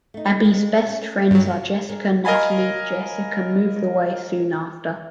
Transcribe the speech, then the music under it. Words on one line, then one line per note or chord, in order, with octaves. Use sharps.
Abby's best friends are Jessica, Natalie, Jessica moves away soon after.
A3 D#4
G#3 A#3 D4
A3 A#3 C#4
G2 F#3
D4 G#4 A#4
A#4 D#5 F5 G#5 B5